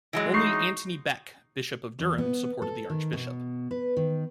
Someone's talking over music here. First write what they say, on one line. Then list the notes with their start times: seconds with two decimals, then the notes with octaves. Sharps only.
Only Antony Bek, Bishop of Durham supported the archbishop.
0.13 E3 F#3 G#3
0.34 D#4 C#6 C7
1.99 E2
2.18 B3
2.62 A4
2.90 D#3
3.13 B2
3.71 B4
3.97 D#3